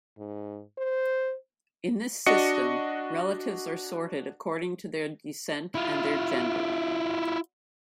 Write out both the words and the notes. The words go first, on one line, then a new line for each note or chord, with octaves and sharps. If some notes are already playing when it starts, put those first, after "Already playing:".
In this system, relatives are sorted according to their descent and their gender.
G#2
C5
D4 F#4 D#5 C#7
E4 F4